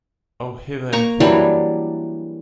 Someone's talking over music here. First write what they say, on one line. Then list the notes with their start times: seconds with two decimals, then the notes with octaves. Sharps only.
Oh, hither and thither.
0.93 A#3 A#5 C#6
1.20 E3 F#3 G3 D4